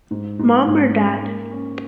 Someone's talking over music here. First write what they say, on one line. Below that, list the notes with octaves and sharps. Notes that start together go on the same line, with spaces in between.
Mom or Dad?
G#2
G#2
G#2
C#4
A#3
C#4